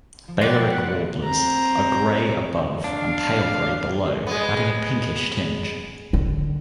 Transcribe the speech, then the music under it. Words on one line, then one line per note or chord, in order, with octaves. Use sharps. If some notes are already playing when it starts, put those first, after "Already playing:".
Balearic warblers are grey above and pale grey below, adding a pinkish tinge.
F3
F#3 B3 B4 D5 F#5 G5 C6
C4 A#5
D4 F5
G#3 B3
D3